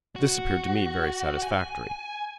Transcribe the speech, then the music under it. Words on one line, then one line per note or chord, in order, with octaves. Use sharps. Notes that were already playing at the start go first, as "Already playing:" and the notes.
This appeared to me very satisfactory.
F#4
G#5